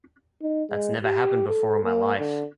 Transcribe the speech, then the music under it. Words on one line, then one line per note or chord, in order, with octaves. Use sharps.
That's never happened before in my life.
D#4
G#3
G4
A4
A#3
D3